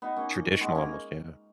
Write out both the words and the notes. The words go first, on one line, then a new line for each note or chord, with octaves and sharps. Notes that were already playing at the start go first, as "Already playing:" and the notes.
traditional, almost, yeah.
B3 D#4
A#3 C#4
G#3 B3
A#3 C#4